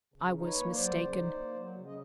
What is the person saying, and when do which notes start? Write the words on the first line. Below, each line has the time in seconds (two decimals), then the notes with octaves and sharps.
I was mistaken.
0.14 C#3
0.34 D#4
0.43 B4 C#5
0.54 A#3
0.73 F#3 C5 D5
0.94 C#3
1.14 D#4
1.33 A#3
1.53 F#3
1.74 C#3
1.86 D#5